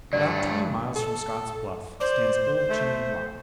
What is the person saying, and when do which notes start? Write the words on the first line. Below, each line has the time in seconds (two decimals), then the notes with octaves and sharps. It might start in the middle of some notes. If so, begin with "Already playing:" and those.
About twenty miles from Scott's Bluff stands old Chimney Rock.
0.13 G2 F#3 A3 D5
0.96 A4
2.00 C5 D5
2.70 A3